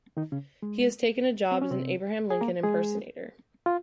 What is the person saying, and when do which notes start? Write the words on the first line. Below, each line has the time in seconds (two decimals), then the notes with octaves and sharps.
He has taken a job as an Abraham Lincoln impersonator.
0.17 D#3 D#4
0.32 C#3 C#4
0.62 G#3
1.52 C4
1.61 C#4
1.71 C3 C4
2.30 G#4
2.41 A#3 A#4
2.63 G#3 G#4
3.66 F4